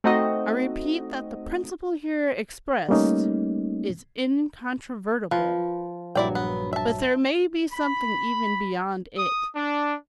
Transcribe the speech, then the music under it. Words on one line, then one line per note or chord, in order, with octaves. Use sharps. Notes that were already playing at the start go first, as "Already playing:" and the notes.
I repeat that the principle here expressed, is incontrovertible; but there may be something even beyond it.
A3 C4 D#4 F#4 D#5
G3 A3 A#3 C#4 D#4
F3 B4
A#1 G2 F#3 E4 D5 G5
B3
E5 A5
B5
D#6
D4